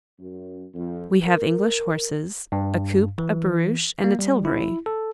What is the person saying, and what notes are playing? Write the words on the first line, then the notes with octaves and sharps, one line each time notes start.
We have English horses, a coupe, a barouche, and a tilbury.
F#2
F2
A#4
G2
E3
A#3
G3
E4
A4